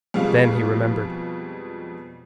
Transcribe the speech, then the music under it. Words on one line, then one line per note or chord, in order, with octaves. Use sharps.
Then he remembered.
F2 B2 G3 G#3 F5